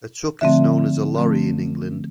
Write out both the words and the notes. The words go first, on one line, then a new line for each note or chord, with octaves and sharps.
A truck is known as a lorry in England.
D3 F3 A3 C4 E5
D3 F3 A3 C4